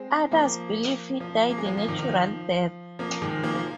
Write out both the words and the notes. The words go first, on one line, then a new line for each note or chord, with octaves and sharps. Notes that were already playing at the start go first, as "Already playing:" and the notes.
Others believe he died a natural death.
Already playing: G#3 C4
F3 A#3
F3
A#3
G#3
F3
F3
D#3
D#3
F3
F3 A#3
D#3 G#3
F3 A#3
F3